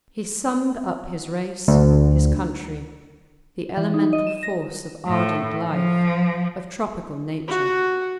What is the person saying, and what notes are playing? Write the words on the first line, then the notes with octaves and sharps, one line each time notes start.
He summed up his race, his country, the elemental force of ardent life, of tropical nature.
D2
E3
D#4
D#5
E7
A#6
A2
F3
F#4 F#5